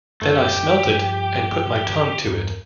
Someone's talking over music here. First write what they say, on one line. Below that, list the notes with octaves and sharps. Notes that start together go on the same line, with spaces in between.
Then I smelt it and put my tongue to it.
F#2 A3
G4
G2 F3
E2 G2 A#4